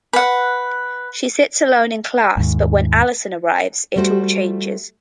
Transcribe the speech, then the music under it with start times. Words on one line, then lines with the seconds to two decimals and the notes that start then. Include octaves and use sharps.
She sits alone in class, but when Alison arrives, it all changes.
0.13 B4 F#5
2.37 D#2 G#2
3.96 G3 A3 F#4 C5